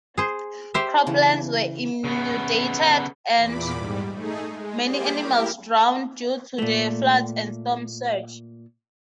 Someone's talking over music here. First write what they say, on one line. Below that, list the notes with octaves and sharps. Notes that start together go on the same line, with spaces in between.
Croplands were inundated and many animals drowned due to the floods and storm surge.
G#4 C5
G4 C5 E5
C#3 E3
C#3 B3
E2 A#2 B5 D6
G#2 G3
A3 D#4 G#4
G#3
G3 A#3 G4 G#4 C5 D5
E4 G4 A#4
A#2 A3